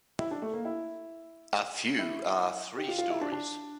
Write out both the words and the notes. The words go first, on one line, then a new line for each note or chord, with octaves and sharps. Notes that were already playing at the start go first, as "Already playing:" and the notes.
A few are three stories.
E4
D4
A3
A#3
E4
E4
G4
F4
F4
E4
D4
D4